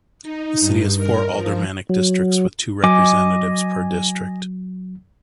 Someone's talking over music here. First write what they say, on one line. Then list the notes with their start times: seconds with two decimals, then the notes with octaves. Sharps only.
The city has four aldermanic districts with two representatives per district.
0.23 D#4
0.60 G2
0.97 A#4
1.34 F3
1.89 F#3
2.84 F#3 D#5 G#5 D6